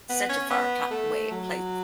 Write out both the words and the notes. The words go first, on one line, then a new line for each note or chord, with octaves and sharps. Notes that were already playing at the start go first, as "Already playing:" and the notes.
such a far top way place.
B3
C#4
B3
A3
F#3